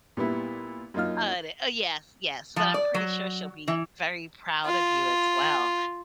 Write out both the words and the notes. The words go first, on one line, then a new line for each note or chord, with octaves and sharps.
Uh, de uh, yes, yes, but I'm pretty sure she'll be very proud of you as well.
A#2 G3 B3 E4
F#2 A#3 D#4 F4 F6
F3
D5
F#3
E3
F4